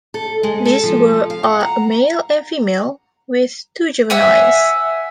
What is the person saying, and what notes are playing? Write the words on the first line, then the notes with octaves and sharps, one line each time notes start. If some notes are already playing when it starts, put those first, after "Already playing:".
These were a male and female, with two juveniles.
A4
G#3
A4
F3
F5
F#5
A#5
E5 F#5 G#5